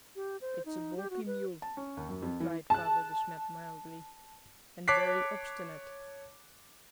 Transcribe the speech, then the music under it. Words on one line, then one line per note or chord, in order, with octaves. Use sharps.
"It's a balky mule," replied Father De Smet mildly, "and very obstinate."
G4
C5
D#4
G4
F#4
B4
A5
C#4
D#2
F#2
F2
E3
A5 F#6
C#5 A5 D6 F#6 B6 C7